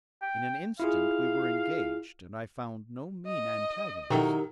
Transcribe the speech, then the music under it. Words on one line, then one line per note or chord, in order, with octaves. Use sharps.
In an instant we were engaged, and I found no mean antagonist.
G5
E4 F4 G#4 F5
D#5
B2 D#3 F#3 E4 G4 A4 A#4